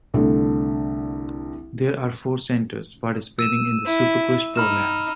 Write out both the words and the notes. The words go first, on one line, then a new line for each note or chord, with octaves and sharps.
There are four centers participating in the SuperQuest program.
C2 D3 A3 A4
E6 D#7 E7
E4
D#4 B5 F6 E7